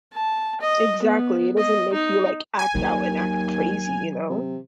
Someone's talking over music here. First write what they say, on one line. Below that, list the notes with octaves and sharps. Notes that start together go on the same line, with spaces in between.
Exactly, it doesn't make you like act out and act crazy, you know?
A5
D#5
B3
D#5
D#4
G#5
D#2 D#3 F#3
C3